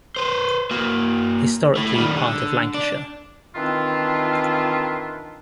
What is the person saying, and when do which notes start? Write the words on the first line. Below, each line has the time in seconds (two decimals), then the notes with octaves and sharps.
Historically part of Lancashire.
0.16 B4 C5
0.71 A#3 F#4
1.76 A3 E4
1.96 D#3 G3
2.15 D3
2.74 D4
3.55 D#3 E3 C4 D4 E4 F4